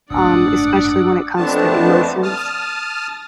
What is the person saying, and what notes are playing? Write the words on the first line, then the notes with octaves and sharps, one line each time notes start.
um, especially when it comes to emotions.
F#1 G#2 A3 D4 D5 F#5 D#6 E6
F2 A3 B3 C4 D4 A5
A5 D#6 F6